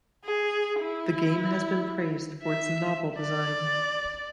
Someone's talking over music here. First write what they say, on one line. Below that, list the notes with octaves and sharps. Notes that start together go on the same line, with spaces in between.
The game has been praised for its novel design.
G#4
E4
E5
D5